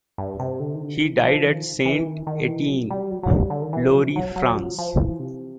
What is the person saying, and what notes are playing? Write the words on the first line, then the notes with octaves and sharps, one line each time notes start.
He died at Saint Etienne, Loire, France.
G2
C3
D3
D#3
D3
E3
F3
D#3
E3
D#3
D#3
E3
F#3
G3
F#3
F#3
G3
D3
D#3
E3
F3
F#3
F#3
F#3
F3
F3
E3
C3